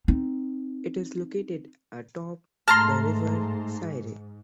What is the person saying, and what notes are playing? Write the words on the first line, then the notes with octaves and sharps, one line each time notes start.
It is located atop the river Syre.
C4 D#4
G#2 A3 A5 A#5 C6 F6